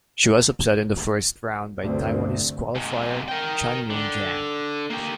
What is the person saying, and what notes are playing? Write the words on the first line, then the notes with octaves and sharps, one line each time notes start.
She was upset in the first round by Taiwanese qualifier Chan Yung-jan.
D2 G2 C3 A3 C4
G#2 C3
A#4 G5
D3
A#3 G4